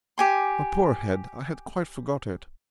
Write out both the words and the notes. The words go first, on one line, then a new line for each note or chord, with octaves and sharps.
My poor head, I had quite forgot it.
G4 G#5 C6